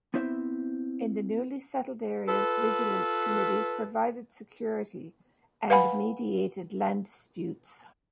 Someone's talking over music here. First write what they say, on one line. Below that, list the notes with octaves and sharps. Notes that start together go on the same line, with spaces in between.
In the newly settled areas, vigilance committees provided security, and mediated land disputes.
B3 C4 E4 C5 E5
F4 A4 B4
B4 F5 F#5 G#5 B5